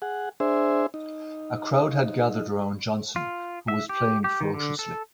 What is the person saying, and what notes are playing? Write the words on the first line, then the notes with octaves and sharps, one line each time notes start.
A crowd had gathered around Johnson, who was playing ferociously.
G#4 F#5
D4 G#4 C5 E5
D#4
F4
E5
G4
G4
D#3
D3
A4